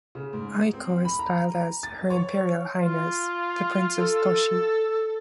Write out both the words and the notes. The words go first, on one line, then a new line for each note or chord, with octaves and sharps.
Aiko is styled as "Her Imperial Highness" The Princess Toshi.
C#3
G#2
C4
B5
A#5
A#5
A6
C#5
F4
A4